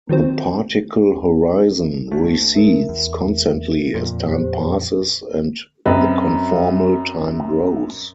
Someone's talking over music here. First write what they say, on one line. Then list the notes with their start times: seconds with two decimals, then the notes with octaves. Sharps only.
The particle horizon recedes constantly as time passes and the conformal time grows.
0.09 D#3 F3 F#3 C4
2.12 D2 A3
2.54 A#4 E5
2.89 E2
3.94 F2 A#2
4.29 G4 C5
5.85 F#2 C4 B4 D#5